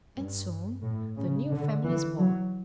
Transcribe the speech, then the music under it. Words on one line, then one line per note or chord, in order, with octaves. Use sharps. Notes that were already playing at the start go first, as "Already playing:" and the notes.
And soon the new family is born.
G2
A2
C#3
D3
E3
F#3